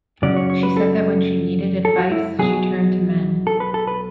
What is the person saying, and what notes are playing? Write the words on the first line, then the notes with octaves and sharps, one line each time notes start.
She said that when she needed advice she turned to men.
F#2 C#3 F#3 C#4 D5
C#5
C#5
B4
A4
A4
F#4
E4
B1 B2 F#3 G#4
A4
B4
A4
B4